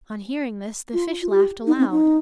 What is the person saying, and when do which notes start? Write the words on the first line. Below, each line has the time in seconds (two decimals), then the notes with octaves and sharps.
On hearing this the fish laughed aloud.
0.94 F4
1.22 F4
1.30 G4
1.67 D#4
1.79 C4
1.91 D#4